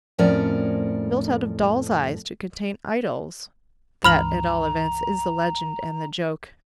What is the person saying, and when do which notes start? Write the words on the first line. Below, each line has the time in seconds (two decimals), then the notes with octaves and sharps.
"Built out of doll's eyes to contain idols"--that, at all events, is the legend and the joke.
0.19 F2 A2 F3 C#4 A#4 D5
4.04 C#2 G2 E3 A#5 B5 F6 F#7